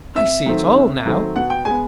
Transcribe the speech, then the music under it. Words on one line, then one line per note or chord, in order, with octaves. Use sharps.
I see it all now.
C3 E5
D#3 F#3 A3 C4
C3
D#3 F#3 A3 C4
B2 F#5
G5
G#3 B3 G#5